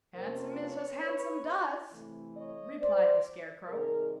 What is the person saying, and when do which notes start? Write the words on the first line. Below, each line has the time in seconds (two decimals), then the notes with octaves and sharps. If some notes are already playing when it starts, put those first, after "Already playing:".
"Handsome is as handsome does," replied the Scarecrow.
0.15 F2 C3 F3 A#3 C#4 A#4 C5
0.59 B4 C#5
1.02 B4 C#5
1.91 C3 E3 A3
2.35 C#5 D#5
2.80 C5 D5
3.68 C3 D#3 G3 G#4 A#4